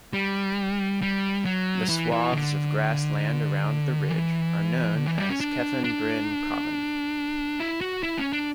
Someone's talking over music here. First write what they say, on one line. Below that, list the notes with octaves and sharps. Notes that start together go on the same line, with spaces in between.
The swathes of grassland around the ridge are known as "Cefn Bryn Common".
G3
G3
F#3
E3
E3
D3
E3
D3
E3
G3
C#4
D4
D4
E4
F#4
E4
C#4
D4